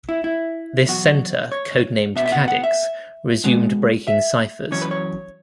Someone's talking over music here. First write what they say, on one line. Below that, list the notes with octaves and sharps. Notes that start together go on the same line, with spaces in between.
This center, codenamed "Cadix", resumed breaking ciphers.
E4
E4
E2 B2 F#3 F#4
C#5
B2 B3 E5
E5
F#5
F#5
E5
B2 G#3 B3
E5
F#2 E3 C#4 C#5
B4
C#5